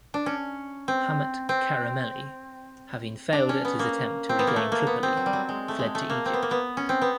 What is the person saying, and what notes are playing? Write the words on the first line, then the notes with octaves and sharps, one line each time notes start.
Hamet Caramelli, having failed at his attempt to regain Tripoli, fled to Egypt.
D4
C#4
C4
C4
D4
C#4
B3
A#3
C4
B3
A#3
A3
A#3
B3
C4
F#3
G3
F#3
G#3
A3
G#3
A3
A#3
C4
B3
A#3
B3
C#4
C4
B3